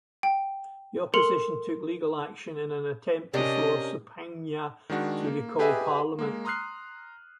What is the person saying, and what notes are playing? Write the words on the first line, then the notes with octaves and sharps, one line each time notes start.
The opposition took legal action in an attempt to force Sopoanga to recall parliament.
G5
A4 A#4 C6 C#7 F7 F#7
C3 C#4 D4 A#4 D#5
D#3 G#3 D4 F#4
A#3
G4 G#4 B4 D#5 E5 G#5
G#3 A#3
A#5 C6 D#6 F6 F#6 C7